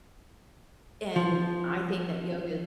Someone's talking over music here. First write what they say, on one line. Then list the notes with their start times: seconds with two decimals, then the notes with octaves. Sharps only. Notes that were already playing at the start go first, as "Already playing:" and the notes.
and I think that yoga
1.16 F3